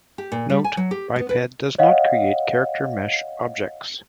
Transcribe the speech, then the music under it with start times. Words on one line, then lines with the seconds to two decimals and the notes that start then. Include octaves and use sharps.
Note: Biped does not create character mesh objects.
0.18 G4
0.32 A#2
0.50 G3
0.64 G#5
0.77 F#3
0.91 G4
1.16 B3
1.29 B4
1.78 C#5 D#5 F5 F#5